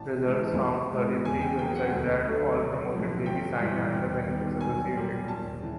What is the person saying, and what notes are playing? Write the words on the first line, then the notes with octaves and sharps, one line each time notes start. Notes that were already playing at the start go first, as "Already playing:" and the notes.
Results found thirty-three websites that all promoted baby sign and the benefits associated.
Already playing: A1 A5
G#2 E3
A1
G#2 E3 G#3 B3
E2 G#5
G5
C#3 F#3 A#3 G5
F#5
D2
D3 F#3 A3
B1
A2 F3
G1 G5
G2 E3 G3
D#2
D#3 G3 B3
B1 G#5
A#2 G3 A#3
D#2 A5
C#3 E3